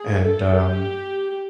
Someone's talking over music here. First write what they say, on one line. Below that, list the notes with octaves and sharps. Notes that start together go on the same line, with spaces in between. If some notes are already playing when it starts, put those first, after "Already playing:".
and, um,
Already playing: G#4
A4
G4